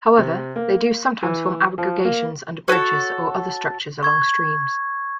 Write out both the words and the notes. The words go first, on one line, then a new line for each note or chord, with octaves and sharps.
However, they do sometimes form aggregations under bridges or other structures along streams.
C3
A#3
E3
F3
A#3
F#4 A4 B4 C#5
C#6 G#6